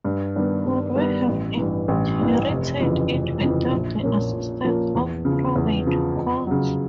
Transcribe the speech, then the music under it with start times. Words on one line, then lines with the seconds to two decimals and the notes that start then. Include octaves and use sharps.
Could we have inherited it without the assistance of probate courts?
0.04 G2
0.36 D#3 G3 B3 D4
0.66 G2
0.96 D#3 G3 B3 D4
1.27 A1
1.57 G2 E3
1.88 A1
2.19 G2 E3
2.49 F1
2.80 F2 C#3 E3
3.11 F1
3.41 F2 C#3 E3
3.71 A#1
4.03 A#2 F3 A#3 C#4
4.33 A#1
4.64 A#2 F3 A#3 C#4
4.95 E2
5.25 C#3 F3
5.56 E2
5.86 C#3 F3
6.16 F2
6.47 C#3 F#3